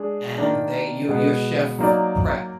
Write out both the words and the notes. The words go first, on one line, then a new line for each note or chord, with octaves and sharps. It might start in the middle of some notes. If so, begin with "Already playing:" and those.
and they you're you're chef prep.
Already playing: G#3 D4 G#4
D#3 A#3 D4
B2 G#3 B3
F#3 A#3 D#4 A#4 D5